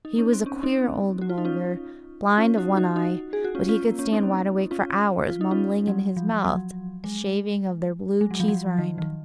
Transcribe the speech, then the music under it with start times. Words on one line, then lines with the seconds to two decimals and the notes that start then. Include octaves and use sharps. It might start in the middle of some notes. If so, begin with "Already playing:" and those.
He was a queer old Mulgar, blind of one eye, but he could stand wide awake for hours mumbling in his mouth a shaving of their blue cheese-rind.
0.05 D#4
0.18 C#4
0.33 C4
0.46 C#4
0.63 C4 D#4
1.21 F#4
1.29 F4
1.38 D#4
1.45 C#4 F4
2.38 C#4 F4
2.58 D#4 F#4
2.77 D#4 F#4
2.96 D#4 F#4
3.33 G#4
3.44 F#4
3.55 C#4 F4
3.69 C#4 F4
3.84 A#3
3.99 C#4
4.12 C4 D#4
4.71 C#4 F4
5.29 F4
5.41 D#4
5.51 C#4 F4
5.87 F#3
6.17 F3
6.45 F#3
7.04 G#3
8.21 G#3
8.31 F#3
8.40 F3
8.48 F#3
8.78 D#3
8.98 D#3